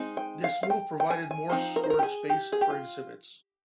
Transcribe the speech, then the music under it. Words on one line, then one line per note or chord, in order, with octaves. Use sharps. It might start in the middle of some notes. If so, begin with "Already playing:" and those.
This move provided more storage space for exhibits.
Already playing: G#3 C4 D#4
G5
F5
F5
G5
G5
G#5
G#5
F3 C4 D#4 C5
A#4
C5
A#4
G4
G#4
G4
G#4
G4
F4